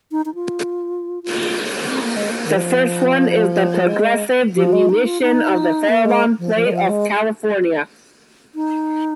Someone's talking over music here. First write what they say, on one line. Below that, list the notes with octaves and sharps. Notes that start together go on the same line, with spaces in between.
The first one is the progressive diminution of the Farallon plate off California.
D#4
D#4
F4
F4
C4
A#3
G#3
A#3
D#3
F3
G#3
F3
G#3
D#4
F4
D#4
A#3
G#3
F3
F3
G#3
F3
G#3
D#4